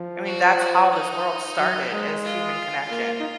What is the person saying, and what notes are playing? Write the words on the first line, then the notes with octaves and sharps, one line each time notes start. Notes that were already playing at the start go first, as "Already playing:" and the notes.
I mean, that's how this world started is human connection.
Already playing: F3
F#4
D#4
F#3
G#3
F4
A#3
D#4